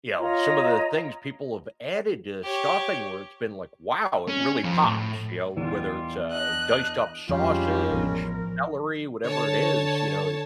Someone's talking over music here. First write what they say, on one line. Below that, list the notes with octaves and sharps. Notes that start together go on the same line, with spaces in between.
you know, some of the things people have added to the stuffing where it's been like, "Wow, it really pops," you know, whether it's a diced up sausage, celery, whatever it is, you know,
F4 C#5 D#5 A#5
G4 C#5
C#4
F2 F3
A2
E2 D#3 G3 F4
D4 D#5 F#6
F2 F3 G3 G#3 C#4 F4 G4
A1 F3 B3 A#4
D3 C#5 A5